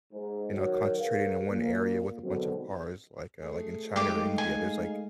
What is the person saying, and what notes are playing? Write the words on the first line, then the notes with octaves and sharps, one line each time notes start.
you know, concentrated in one area with a bunch of cars, like, uh like, in China or India, there's, like
G#2
D#3 F#3 F#4 A#4 C#5
G#4 A#4 B4 C#5 F5
A#2 A#3
B2 D3 D#3 F#3 G#3 C4
A3 G#4
G#3 A3 D#4 G4 G#4 F5 D6
G#5